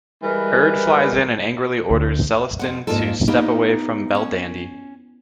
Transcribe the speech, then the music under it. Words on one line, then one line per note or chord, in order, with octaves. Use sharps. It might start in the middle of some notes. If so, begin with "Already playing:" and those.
Urd flies in and angrily orders Celestin to step away from Belldandy.
E3 G3 G#3 A#4 B4
D2
F2 C4 F#5
F2 G#2 A#3 D4 F4 A4
A#3 B3 D#4 E4 G4
C#4